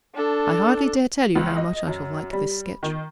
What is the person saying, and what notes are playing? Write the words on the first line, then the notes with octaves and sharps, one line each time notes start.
I hardly dare tell you how much I shall like this sketch.'
D4 A4
C#2
D#5
F#2
G3
D#3